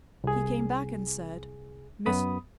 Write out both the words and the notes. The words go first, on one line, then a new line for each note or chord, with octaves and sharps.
He came back and said, 'Mr.
C2 G#4
F#2 B3 B5 D#6